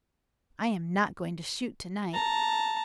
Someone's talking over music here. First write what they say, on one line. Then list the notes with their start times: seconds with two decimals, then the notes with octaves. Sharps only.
I am not going to shoot to-night.
2.14 A5 A#5